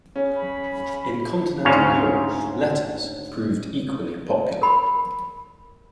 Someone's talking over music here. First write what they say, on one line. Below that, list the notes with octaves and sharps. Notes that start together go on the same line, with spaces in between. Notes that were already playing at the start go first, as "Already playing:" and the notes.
In continental Europe, "Letters" proved equally popular.
C#3 C#4
B5
D2 G#2 C#3 C#4 C#5 F5
A#4 B5